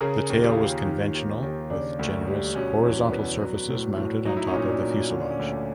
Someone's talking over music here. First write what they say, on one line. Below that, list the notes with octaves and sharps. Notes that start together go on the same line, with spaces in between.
The tail was conventional with generous horizontal surfaces mounted on top of the fuselage.
C#3 G#4 A#4
D#2
F4 G4
D#2
D#3
D#2
D#2
C#3 D4
D2
G3
B2 C#4
E2
D4
B3
F#3
A2
A2
F#3 D#4
E4
C#4 D#4
A#2
D#4
D4
A#2
D3 C#4
D4
C#4
D2
D4